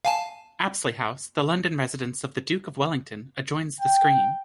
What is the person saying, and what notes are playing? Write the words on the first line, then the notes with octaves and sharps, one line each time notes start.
Apsley House, the London residence of the Duke of Wellington, adjoins the screen.
F5 G#5 A5
G5